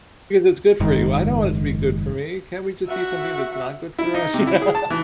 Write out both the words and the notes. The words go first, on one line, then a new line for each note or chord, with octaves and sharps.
it's good for you." "I don't want it to be good for me. Can't we just eat something that's not good for us, you know?"
F#1 G#2 D#3
F#4 E5
E4
D#4
C3
E4
G#4
A5
E3